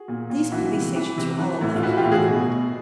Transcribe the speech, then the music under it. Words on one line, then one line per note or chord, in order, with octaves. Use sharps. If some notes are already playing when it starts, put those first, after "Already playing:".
"These police agents are all alike," he grumbled.
Already playing: F#4 G#4
A#2
A#2
E3 E4 F#4
C3
E3
C3
E3
A2
F4
E3 E4 F#4
F4 G4
A2
F#4 G#4
B2
B2